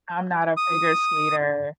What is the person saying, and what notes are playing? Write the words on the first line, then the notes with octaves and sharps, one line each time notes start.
I'm not a figure skater.
D#6